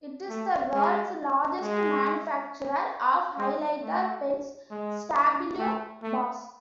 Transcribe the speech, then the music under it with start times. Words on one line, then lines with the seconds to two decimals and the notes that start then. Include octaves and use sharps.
It is the world's largest manufacturer of highlighter pens, Stabilo Boss.
0.29 A3
0.74 G#3
1.62 G#3
3.38 G#3
3.82 A3
4.71 G#3
5.58 A3
6.03 A3